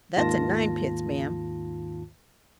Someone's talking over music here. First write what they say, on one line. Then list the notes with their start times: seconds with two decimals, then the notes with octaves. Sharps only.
That's a ninepence, ma'am.
0.16 D#2 G#2 D#3 F4 A5 A#6